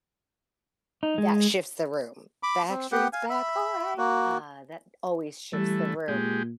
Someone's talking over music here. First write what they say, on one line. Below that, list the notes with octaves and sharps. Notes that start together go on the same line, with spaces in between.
that shifts the room. "Backstreet's back, all right." Uh, that always shifts the room,
D#4
G#3
B5 D6
C4
B3 G4 F#5 G5
F5 G#5
E5 B5
A#3 F#4
E3 G3 A3
A#2 G#3 G4